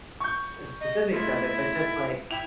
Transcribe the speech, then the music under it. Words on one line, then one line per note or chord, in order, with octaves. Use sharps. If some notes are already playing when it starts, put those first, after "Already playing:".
uh, specifics of it, but just like
C#6 G6
D#5
A3 E4 F4 D#5
E4 G5 F7